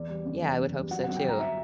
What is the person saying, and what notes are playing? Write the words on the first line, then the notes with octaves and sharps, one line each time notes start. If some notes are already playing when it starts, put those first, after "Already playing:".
Yeah, I would hope so too.
Already playing: E2 D5
G3
F#1
E2
F#1
G3
F#3 F#5
F#5
G1
G5
G1 A#5
E5